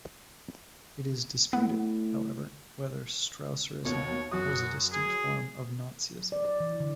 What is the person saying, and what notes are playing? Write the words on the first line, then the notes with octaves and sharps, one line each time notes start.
It is disputed, however, whether Strasserism was a distinct form of Nazism.
A2 B3
D#2 B2 C#5
F#2 F#3 F#4 D#6
G#4
F#3
D5
D5
E3
D3